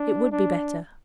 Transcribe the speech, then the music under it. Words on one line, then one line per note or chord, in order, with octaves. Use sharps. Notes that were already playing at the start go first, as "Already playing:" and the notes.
It would be better.
Already playing: D4
D4